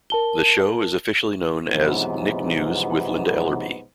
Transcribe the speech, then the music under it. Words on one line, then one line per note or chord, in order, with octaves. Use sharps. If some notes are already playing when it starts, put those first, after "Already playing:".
The show is officially known as "Nick News with Linda Ellerbee".
A#4 A5 G7
B1 F2 G#2 C3 E3 B3